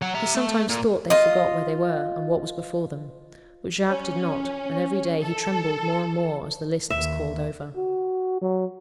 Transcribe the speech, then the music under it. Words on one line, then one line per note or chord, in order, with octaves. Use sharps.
He sometimes thought they forgot where they were, and what was before them. But Jacques did not, and every day he trembled more and more as the list was called over.
F#3 F#5
E5 A#5
A3
A#2
F4 D#5
C#4
A4
D#2 E5
F#4
F#3